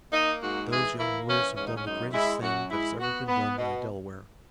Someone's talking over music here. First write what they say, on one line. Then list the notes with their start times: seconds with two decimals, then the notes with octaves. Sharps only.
Those young warriors have done the greatest thing that has ever been done by a Delaware.
0.11 A#3 D#4
0.40 G#2 F#4
0.69 E3 G#4
0.98 A#3 E4
1.26 E3 C#4
1.55 G#2 C#4
1.64 D#4
1.74 C#4
1.84 F#2 D#4
2.12 G#3 E4
2.41 F#2 F#4
2.70 G#3 E4
2.99 B3 F#4
3.27 B3
3.56 B2